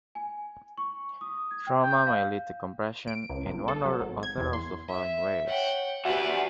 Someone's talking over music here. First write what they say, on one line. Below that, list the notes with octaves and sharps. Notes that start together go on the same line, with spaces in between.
Trauma may lead to compression in one or other of the following ways.
G#5
C#6
D#6
G#6
G5
G6
F5
D7
C#2
G1
A4
F#3
G#1
G#6
E2
C6
E5
C#5 F#5 G5
D4 F#4 G4 B4 D5 E5 F#5